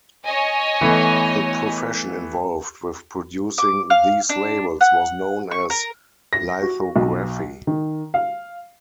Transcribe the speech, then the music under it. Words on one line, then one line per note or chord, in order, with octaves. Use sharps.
The profession involved with producing these labels was known as lithography.
C#5 D#5 G#5
E3 A3 B3
D6
F5
D4
F#5
C#6
A#4
A#6
F#4
B1
D#3
F5